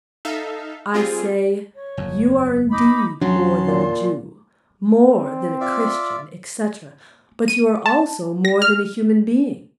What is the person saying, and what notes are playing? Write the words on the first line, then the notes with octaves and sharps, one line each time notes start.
I say: You are indeed more than a Jew, more than a Christian, etc., but you are also more than a human being.
D#4 A4 E5 F5
G3 C4 F4 G#4
C#5
F#1 E2
D#4 B5 D6
E1 E2 F#3 C#4 D4 A5 C6
A#2
C4
F4 D5 E5
D#7
A5
A#6
F6